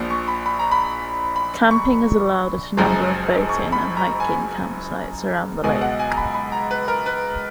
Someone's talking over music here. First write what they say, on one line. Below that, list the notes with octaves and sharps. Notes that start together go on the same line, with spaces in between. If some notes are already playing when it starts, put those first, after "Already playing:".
Camping is allowed at a number of boat-in and hike-in campsites around the lake.
Already playing: A#1 A#2 F3
C#6
B5
B5
A#5
B5
B5
C#6
F#1 F#2 F3 G#3 A#5
C#6
B5
A#5
G#5
C#2 B2 G#3 G#5
F#5
G#5
A#5
B5
B5
A#5
B4
A#4
B4